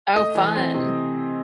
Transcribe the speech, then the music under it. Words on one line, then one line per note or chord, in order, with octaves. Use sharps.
Oh, fun.
A3 D#5 D#6
E3
C4
C3